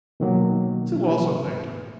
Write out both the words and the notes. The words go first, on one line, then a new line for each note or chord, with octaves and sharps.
Sue also thanked him.
B2 D#3 F#3 A#3